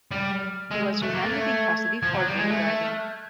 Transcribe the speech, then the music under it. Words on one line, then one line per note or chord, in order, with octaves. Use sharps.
He was remanded in custody for drink driving.
G3 F6
G#3 E6
A3 F#6
A#3
A6
A3
G#6
F3
F#3
G3
G#3
A3 G#6
F6
F#6
G6
G#6